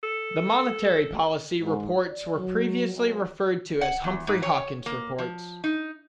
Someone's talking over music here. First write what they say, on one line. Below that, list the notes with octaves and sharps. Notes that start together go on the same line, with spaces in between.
The Monetary Policy Reports were previously referred to as Humphrey-Hawkins reports.
A4
G#2
D5
F#3
B1
F#5
E2
G#2
C#5
A#3
F3
D#4